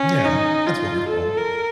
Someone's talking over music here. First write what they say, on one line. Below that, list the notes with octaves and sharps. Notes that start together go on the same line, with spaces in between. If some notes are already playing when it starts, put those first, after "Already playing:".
Yeah. That's wonderful.
Already playing: C#4
D#4
F4
A4
A#4